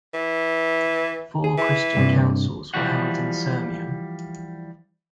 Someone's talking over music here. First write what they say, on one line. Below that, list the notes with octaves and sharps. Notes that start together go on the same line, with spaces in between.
Four Christian councils were held in Sirmium.
E3
G#4
E3
G2 C3
E3 F3 G3 F#4 F#5